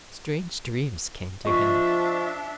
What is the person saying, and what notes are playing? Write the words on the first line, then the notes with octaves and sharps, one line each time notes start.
Strange dreams came to him.
F3 D4 D#5 E5 C#6